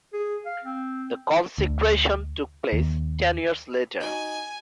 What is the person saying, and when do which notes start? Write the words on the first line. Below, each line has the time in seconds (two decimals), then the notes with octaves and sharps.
The consecration took place ten years later.
0.13 G#4
0.46 F5
0.63 C4
1.58 D2
2.73 D#2
4.00 D#4 F#4 G#5